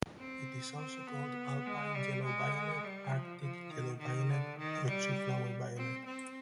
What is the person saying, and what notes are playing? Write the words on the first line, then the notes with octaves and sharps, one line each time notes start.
It is also called alpine yellow-violet, arctic yellow violet, or twoflower violet.
C4
C4
B3
G#3
G3
G#3
G3
F3
F3
D#3
D#3
D3
D#3
G3
C4
C4